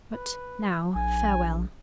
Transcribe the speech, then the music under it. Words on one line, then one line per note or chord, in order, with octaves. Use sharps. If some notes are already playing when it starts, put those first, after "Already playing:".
But now, farewell.
B4
A#1 G#5